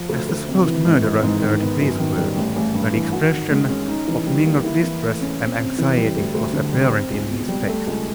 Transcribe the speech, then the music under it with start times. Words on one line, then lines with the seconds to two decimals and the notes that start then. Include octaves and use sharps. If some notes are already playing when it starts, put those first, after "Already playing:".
As the supposed murderer heard these words, an expression of mingled distress and anxiety was apparent in his face.
Already playing: F3
0.09 D2
0.29 D2
0.48 C3
0.66 E3
0.85 G#1
1.04 G#1
1.23 G#2
1.42 D#3
1.61 B3
1.80 F#2
1.99 D#3
2.17 G3
2.36 A1
2.56 A1
2.75 G2
2.93 E3
3.13 F#4
3.32 D#3
3.51 G#3
3.69 C#4
3.88 D#4
4.08 E3
4.26 G3
4.45 A#3
4.65 E4
4.83 E3
5.02 A3
5.21 C#4
5.40 C4
5.59 C3
5.78 E3
5.97 G3
6.16 D2
6.34 D2
6.53 D3
6.73 G3
6.92 C4
7.10 C#2
7.30 B2
7.48 G3
7.68 A3
7.87 C#2